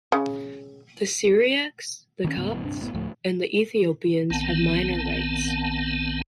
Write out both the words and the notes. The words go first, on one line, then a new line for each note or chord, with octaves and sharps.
The Syriacs, the Copts, and the Ethiopians have minor rights.
C#3
D#3 A#3 C#4
D2 G#2 C#3 B3
G#1 G2 B2 E3
D1 G2 C3 D4
F#1 A2 B3
D2 A2 F3 A3
A#1 D#3 B3 C4 A5